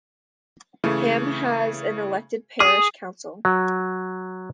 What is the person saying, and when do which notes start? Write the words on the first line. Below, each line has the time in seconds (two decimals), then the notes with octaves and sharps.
Ham has an elected parish council.
0.84 C#3 E3 A3
2.60 G#4 D#6
3.45 F#3